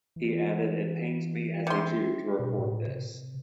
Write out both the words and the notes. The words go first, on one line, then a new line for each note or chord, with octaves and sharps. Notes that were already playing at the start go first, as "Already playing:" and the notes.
He added "It pains me as a Jew to report this".
E3
C3 C6
B2
A2
C3